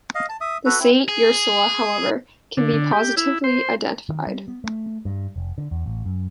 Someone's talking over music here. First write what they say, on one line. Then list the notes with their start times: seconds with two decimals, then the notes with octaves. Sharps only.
The "Saint Ursula", however, can be positively identified.
0.15 D#5 F5
0.29 A5
0.41 E5 D#6
0.66 F#4 A4 B4
0.80 C4 E4
1.09 G#4
2.57 D3
2.74 D3
2.92 G4
3.17 E4
3.44 C5
4.09 D#3
4.27 G3
4.48 B3
4.64 A3
5.05 G2
5.36 F1
5.58 D3
5.71 E2
5.86 A1
6.05 F#2